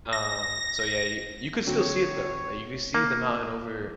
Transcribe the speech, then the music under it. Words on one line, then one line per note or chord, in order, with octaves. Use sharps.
Um, so yeah, you, you could still see it though, like, you could see the mountain over
A#6
D3 F#3 C4 C#5
A#3